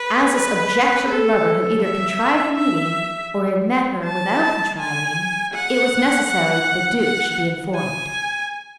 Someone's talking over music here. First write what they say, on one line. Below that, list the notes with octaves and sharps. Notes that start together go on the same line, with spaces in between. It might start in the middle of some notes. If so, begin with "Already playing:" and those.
As this objectionable lover had either contrived a meeting, or had met her without contriving, it was necessary that the Duke should be informed.
Already playing: B4
B4
A4
E5
E5
A5
G#5
F#5
F#5
F#5
G#5